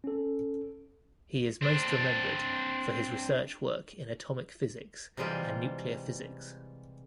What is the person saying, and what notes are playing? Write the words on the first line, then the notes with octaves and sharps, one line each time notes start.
He is most remembered for his research work in atomic physics and nuclear physics.
C#4 A4
C4 D4
C3 E3 G3 G#3 F4